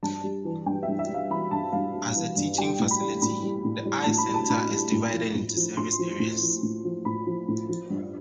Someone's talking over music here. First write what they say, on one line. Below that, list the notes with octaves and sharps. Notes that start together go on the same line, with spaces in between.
As a teaching facility, The Eye Center is divided into service areas.
G2 A5
G3
E3
G2 G5
E5
G2
E5
G3
F5
E3 B5
G2 A5
G2 F5
G3
E3
G2
G3 G5
A2
B5
G3
A2 B5
G3
A2
G3
A2 A5
B5
G3
A5
A2 B5
G3
A2
F3
A2
F3
A2 C6
F3
A2
F3
A2
F3
A2 B5
F3
A2
F3
G2